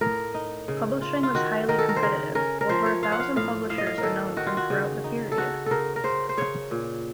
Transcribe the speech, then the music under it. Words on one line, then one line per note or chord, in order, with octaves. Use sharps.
Publishing was highly competitive; over a thousand publishers are known from throughout the period.
A2 A#4
D#4
C#3
F4
F4
D#3 F#4
D#3 A#4
A4
A#4
C5
C#3 A#4
C#4 A#4
A#4
F3 C5
C#5
F4 F5
F#5
F5
A2 F5
A2 F5
D#5
F5
A#4
D#3 A4
D#3 F#4
F4
F#4
C#3
D#4
A4
C#3 F#4
C#3 A4 A#4
A#4
C#3 C5
C5
C#3 C#5
A#2